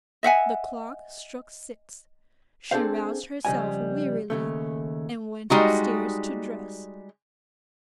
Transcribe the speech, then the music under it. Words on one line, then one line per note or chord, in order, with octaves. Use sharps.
The clock struck six; she roused herself wearily and went upstairs to dress.
D#5 E5 F#5 G#5
C4 D4 G#4 A4 C5 F5
F2 C#3 F#3 G3 D#5 G#5
D#2 C#3 A3
G3 G#3 D#4 F#4